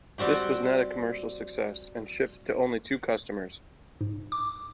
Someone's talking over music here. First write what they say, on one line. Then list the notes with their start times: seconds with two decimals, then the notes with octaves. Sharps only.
This was not a commercial success and shipped to only two customers.
0.18 G3 C4 F#4 G4
4.01 G#2
4.32 D6